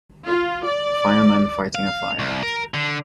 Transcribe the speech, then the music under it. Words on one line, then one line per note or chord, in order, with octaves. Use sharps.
Fireman fighting a fire.
F4
D5
F5
C2
A#4
D3